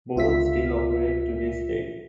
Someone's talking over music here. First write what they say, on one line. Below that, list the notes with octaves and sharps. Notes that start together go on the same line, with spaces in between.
Both still operate to this day.
C#2 F4 E5 B6